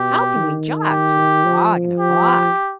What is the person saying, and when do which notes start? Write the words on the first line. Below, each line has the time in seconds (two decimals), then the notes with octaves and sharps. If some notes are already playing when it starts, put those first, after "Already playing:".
"How can we jog To a frog in a fog?"
Already playing: B2 G4
0.36 D#3
0.91 G4
1.44 F3
1.99 G4